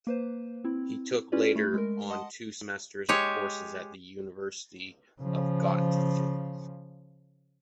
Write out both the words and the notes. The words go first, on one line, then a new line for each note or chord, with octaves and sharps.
He took later on two semesters of courses at the University of Göttingen.
A#3 B4 C5
C4 E4
C#4 E4 F4 G4 B4 D5
A3 B5
G#3 A#4
D#5 F#5 A5 C6 D#6
G#3 G4 C#5
C#3 F3